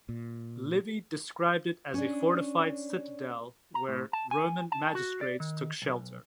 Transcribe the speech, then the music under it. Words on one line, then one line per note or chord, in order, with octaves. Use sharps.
Livy described it as a fortified citadel where Roman magistrates took shelter.
A#2
C#4 D4
A#5
A2
A5
G#5
A5
F#4
D5
D#3
B1